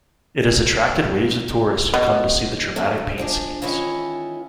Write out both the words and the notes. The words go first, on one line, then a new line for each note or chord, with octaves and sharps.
It has attracted waves of tourists who come to see the dramatic paint schemes.
B2
D3 F#3 G#3 A3
F3 G#3 D4
D#3 E3 G#3 C#4 E4 F4